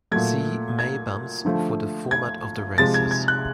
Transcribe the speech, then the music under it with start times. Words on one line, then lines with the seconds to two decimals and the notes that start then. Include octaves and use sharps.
See May Bumps for the format of the races.
0.11 A#2 F#3 A3 G#6
0.79 G#6
1.45 D3 F3 A3
2.11 G#6
2.78 C3 F3 G#3 A6
2.94 G#6
3.11 G#6
3.28 F#6